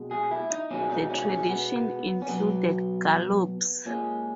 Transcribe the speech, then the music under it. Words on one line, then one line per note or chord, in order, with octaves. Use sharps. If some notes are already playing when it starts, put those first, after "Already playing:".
The tradition included galops.
Already playing: B2 G#3
G#4
E4
D#4
B2 G#3 C#4
D#4
C#4
C#4
B3
C#4
B2 F#3 B3
A#2 G#3 C#4